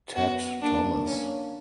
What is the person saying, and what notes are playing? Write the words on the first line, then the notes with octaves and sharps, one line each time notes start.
Ted Thomas.
B3 F#4
A#3 D4
C#4